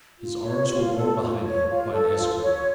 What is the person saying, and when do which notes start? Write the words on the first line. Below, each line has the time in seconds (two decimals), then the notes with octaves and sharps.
His arms were borne behind him by an esquire.
0.20 F4
0.44 C#5
0.69 F4
0.95 A4
1.19 F4
1.43 C#5
1.68 F4
1.92 A4
2.17 F4
2.42 C#5